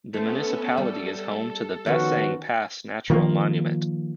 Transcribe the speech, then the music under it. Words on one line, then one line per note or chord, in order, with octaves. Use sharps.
The municipality is home to the Bessang Pass Natural Monument.
A3 B3 C#4 A4 C5
G3 A4
D#3 F3 B3 C#4 F#4
D#3 F3 A#3